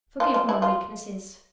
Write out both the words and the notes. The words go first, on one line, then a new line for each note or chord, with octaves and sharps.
Forgive my weaknesses.
F4
F4
E4
F4